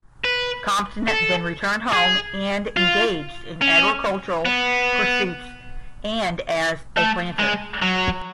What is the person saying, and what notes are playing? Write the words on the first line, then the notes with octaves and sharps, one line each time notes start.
Compton then returned home and engaged in agricultural pursuits and as a planter.
B4
A4
G#4
F4
C#4
B3
A3
G#3
F#3